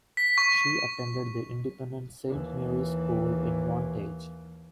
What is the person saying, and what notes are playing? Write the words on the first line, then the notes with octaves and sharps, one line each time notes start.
She attended the independent Saint Mary's School in Wantage.
B6
C#6
D#2 E3